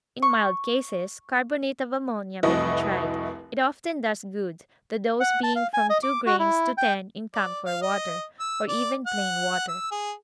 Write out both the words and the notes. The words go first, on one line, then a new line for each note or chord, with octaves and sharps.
In mild cases carbonate of ammonia may be tried; it often does good, the dose being from two grains to ten in camphor water, or even plain water.
C#6
F1 C2 E4 F#4 B4 D#5
F#5
A5
F5
G#5
D#5
D6
F#4
E4
G5
D5
F5
D#5
E6
D5
F#5
E6
G#4